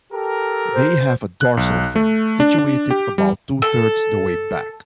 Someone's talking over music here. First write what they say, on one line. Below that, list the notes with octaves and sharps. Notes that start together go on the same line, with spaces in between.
They have a dorsal fin, situated about two-thirds the way back.
G4 A4 A#4
C5
F#6
B1
A3
D4
D4
G4
G3
A4